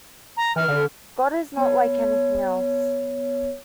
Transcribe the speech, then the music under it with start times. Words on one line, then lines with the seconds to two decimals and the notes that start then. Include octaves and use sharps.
God is not like anything else.
0.36 A#5
0.56 E3 F6
0.68 D3
1.57 B3 C#5